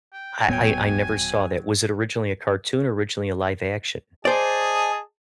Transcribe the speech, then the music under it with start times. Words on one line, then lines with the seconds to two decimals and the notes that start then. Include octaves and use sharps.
I I I never saw that, was it originally a cartoon or originally a live action?
0.13 G5
0.48 D#1 A2 F#3 B3 C#5 G5 G#5
4.25 G#4 C5 D5 D#5 A5